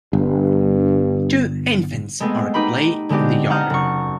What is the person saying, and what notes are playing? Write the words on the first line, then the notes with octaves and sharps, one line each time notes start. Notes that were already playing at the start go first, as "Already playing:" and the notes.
Two infants are at play in the yard.
G1 G2
G#3 A3 B3 C4 G#4
D#4 G4 B4 B5 C6
D3 G#3 B3 C4 G4
F#5 A5 A#5 D#6 F6 G6
F#1 C#6